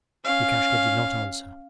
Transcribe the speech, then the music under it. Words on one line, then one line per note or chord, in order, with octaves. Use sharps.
Lukashka did not answer.
C#4 F5